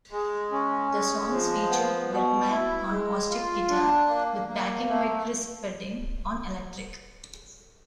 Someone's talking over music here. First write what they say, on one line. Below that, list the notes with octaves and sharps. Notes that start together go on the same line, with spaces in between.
The songs featured Bergmann on acoustic guitar, with backing by Chris Spedding on electric.
G#3
C#4
G#3
F3
B3
B2
E4
G#3
F4
D4
A#3
A#3
A3